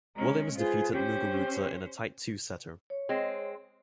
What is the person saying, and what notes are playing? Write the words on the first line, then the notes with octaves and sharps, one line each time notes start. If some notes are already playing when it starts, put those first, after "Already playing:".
Williams defeated Muguruza in a tight two-setter.
G#3 C#4 A#4 A#5
F4 G#4 B4 C5
C#4 G4 C5
C#5
G#3 C4